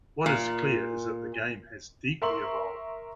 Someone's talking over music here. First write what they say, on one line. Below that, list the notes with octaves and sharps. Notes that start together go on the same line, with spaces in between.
What is clear is that the game has deeply evolved.
A#2
A#4 E5 C6 C#6 F#7